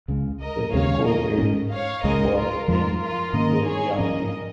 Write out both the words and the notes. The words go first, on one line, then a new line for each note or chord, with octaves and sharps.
The headquarters was in Viljandi.
C#2 C#3 G#3
A#4 D#5
D#2 C#3 G#3 C#4 C#5 F5
A#4 D#5
G#2 G#3 C#4
C#5 F5
C#2 C#3 G#3 A#4 D#5
F4 A#4
F2 F3 G#3 F4 A#4
F4 A#4
G#2 D#3 A#3 C#4 A#4 D#5
G#4 C#5
G#2 F3 C#4 A#4 D#5